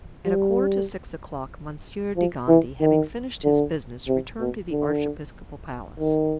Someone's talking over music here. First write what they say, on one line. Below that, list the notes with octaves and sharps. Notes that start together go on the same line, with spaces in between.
At a quarter to six o'clock, Monsieur de Gondy, having finished his business, returned to the archiepiscopal palace.
G3
F3
E3
D#3
D3
C3
B2
D3
D#3